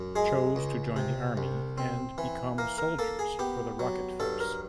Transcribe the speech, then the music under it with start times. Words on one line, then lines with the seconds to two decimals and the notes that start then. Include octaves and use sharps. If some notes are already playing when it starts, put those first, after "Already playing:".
Chose to join the army and become soldiers for the rocket force.
Already playing: F#2
0.15 G#3 G#4
0.56 C#2
0.96 C3
1.37 C2
1.78 C4
2.18 E3
2.58 A#3 A#4
2.78 A#4
2.99 A#3 A4
3.19 G#4
3.39 B3 G4
3.79 F#3
4.20 G2 A4
4.40 A#4